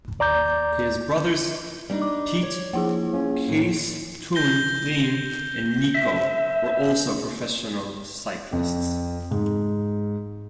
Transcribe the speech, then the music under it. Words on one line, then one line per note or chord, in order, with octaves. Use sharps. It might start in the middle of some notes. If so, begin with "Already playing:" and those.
His brothers Piet, Kees, Toon, Leen and Nico were also professional cyclists.
D#2 D5 A#5 D6 G6
G3 D4 D#4
D6
C#5
F3 A#3 E4 G#4
C#4 F4
A2
G6 A#6 G7
E5
F2
G#2